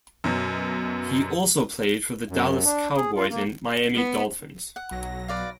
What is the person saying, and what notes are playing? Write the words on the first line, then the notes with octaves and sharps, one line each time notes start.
He also played for the Dallas Cowboys and Miami Dolphins.
F#2 B2 F#3
F#2
D4
G#4
F4
A#3
B3
F#5
B1 F#3 A#6
B4 D5 F5